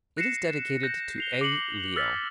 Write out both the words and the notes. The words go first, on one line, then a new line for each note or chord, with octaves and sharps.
It is dedicated to A. Leo.
F#6 A#6 C7 C#7 E7
F#6 G6 A#6
C7 F7 G7
D6 C7 C#7 F#7
E6 F6 A6 B6 C7